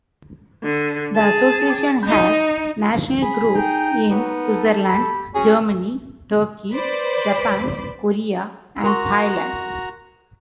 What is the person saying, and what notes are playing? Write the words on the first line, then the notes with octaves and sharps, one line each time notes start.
The association has national groups in Switzerland, Germany, Turkey, Japan, Korea and Thailand.
D3
G#4 A5
D#4
G#4 B5
D#4 G5
F#3 B3 D#4
A4
G4 B5
C#4 F#4 G#4
B4 C5 D5 B5 D6
F#4 A#4 A#5 C6 C#6